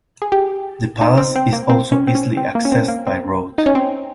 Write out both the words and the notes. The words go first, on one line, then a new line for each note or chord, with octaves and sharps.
The palace is also easily accessed by road.
G#4
G4
D#4
C4
C4
A#3
C4
C#4
C4
C#4
C4
A#3
C#4
C4
A#3
C4
D#4
C#4
C4